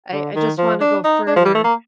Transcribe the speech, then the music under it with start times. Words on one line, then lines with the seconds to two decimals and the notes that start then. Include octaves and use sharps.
I I just wanna go further.
0.13 D3
0.35 D#3
0.58 F3
0.81 D4
1.04 D#4
1.27 D4
1.36 F3
1.45 G3
1.55 A3
1.64 A#3